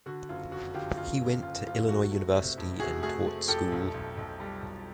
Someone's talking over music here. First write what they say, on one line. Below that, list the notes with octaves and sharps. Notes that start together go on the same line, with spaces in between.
He went to Illinois University and taught school.
D3 F#4
F#1 F4
F2 F#4
D3 F4 G4
F#1 F4
F#1
F#1 F4
F#1 F4
A3 F#4
A3
C3
F2
C3 F#4 G#4
A3 F#4 G#4
A3
F2 G4 A4
B1
B1
B1
G3
B1